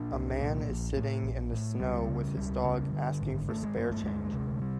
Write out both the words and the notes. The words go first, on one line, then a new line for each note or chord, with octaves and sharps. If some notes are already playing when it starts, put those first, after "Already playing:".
A man is sitting in the snow with his dog asking for spare change.
Already playing: A#2 D4
C2
A#2
A#1
A2
A#1
A2
C#2 G3
C#3
C#2 G3
C#3
D3
G#1
G#1 A3
G#3
G2 A#3
A3
D2 G#3
C3
G3